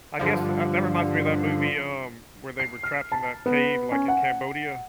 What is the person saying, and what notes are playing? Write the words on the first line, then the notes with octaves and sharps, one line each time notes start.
I guess, uh, that reminds me of that movie, um, where they were trapped in that cave, like, in Cambodia
G2 D3 F3
C7
F6
A5
B3
C#4
F#5